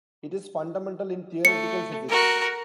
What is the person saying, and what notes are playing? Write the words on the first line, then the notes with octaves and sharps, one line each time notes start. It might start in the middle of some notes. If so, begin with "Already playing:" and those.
It is fundamental in theoretical physics.
A3 C#7
F#4 A#4